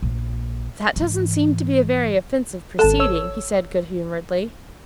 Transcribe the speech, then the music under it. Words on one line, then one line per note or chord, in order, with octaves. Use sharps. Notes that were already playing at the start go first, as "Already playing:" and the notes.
"That doesn't seem to be a very offensive proceeding," he said good-humouredly.
A#1 A#2
G#2 E3
G#1 A4 A5 E7
C#5 E6